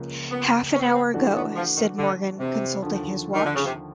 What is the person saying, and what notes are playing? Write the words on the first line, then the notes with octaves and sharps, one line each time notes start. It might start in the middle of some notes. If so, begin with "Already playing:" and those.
"Half an hour ago," said Morgan, consulting his watch.
Already playing: C#2 C#3 F3 A#3
B3
C#4
C4
B3
C4
E3 A3 D4 F#4
B3
F3
D#3
D3
C3
D#2 D3 F3
D#3
D3
C#3
C3